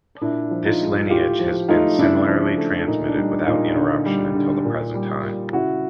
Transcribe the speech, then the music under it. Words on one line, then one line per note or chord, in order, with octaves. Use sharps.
This lineage has been similarly transmitted without interruption until the present time.
A#2 D4 E4
F3
D#4 F4
G#3
A2 F4 G4
F3
A3 D#4 F4
C#3 D4 E4
F3
A3
A#2 D#4
D4
G3 D#4
A#2 D#4 F4
D3
G3
D3
A#2
G3
A#2
C#3 E4 F#4